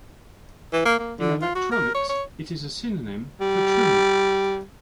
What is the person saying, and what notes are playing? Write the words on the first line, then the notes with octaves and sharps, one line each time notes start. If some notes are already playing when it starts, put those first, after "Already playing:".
In electronics, it is a synonym for trimming.
E3
A#3
A#3
D3
F4
F#4
A#4
C#5
C#5
G3